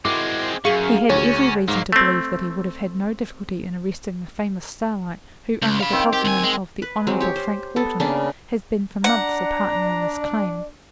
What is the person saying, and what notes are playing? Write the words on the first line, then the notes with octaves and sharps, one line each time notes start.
He had every reason to believe that he would have had no difficulty in arresting the famous Starlight, who, under the cognomen of the Honourable Frank Haughton, has been for months a partner in this claim.
G#3 C4 E4 F#4 A#4 D6
F#2 G#4 F5 C#6 C#7 D#7
D2 C#4 C#5
G#2 F#3 A#3
A3 C4
C#2
F5 B5
D#3 C4 G5
G4
D2 G#5
G#3
B4
F#3 G#3 C4
G4 C#5
C5
B3 A4
C#3 A#3 B3 D4
D4 D5 F#5 A#5